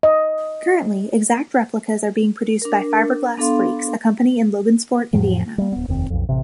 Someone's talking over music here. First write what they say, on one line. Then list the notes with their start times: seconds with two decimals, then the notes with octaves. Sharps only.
Currently, exact replicas are being produced by Fiberglass Freaks, a company in Logansport, Indiana.
0.03 D#5
2.62 D4 A#4
3.37 B3 D4 A4 F5 C6
5.13 F2 A2 F3 F#3
5.58 G3 A#3
5.72 D1 B3
5.88 F1 D#2 C4
6.10 B1 F2
6.29 A1 C3